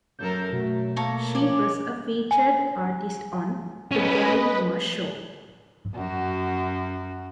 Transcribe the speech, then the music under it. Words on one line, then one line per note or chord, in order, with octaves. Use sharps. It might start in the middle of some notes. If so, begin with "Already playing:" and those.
She was a featured artist on "The Garry Moore Show".
F#2 A4 A#4 G6
B2 F#3 A3
A#3 A4 C#5 A#5
F3 C#5 D5 G#5
G#5
B3 C#4 B4 D#5 B5
F#2 F#4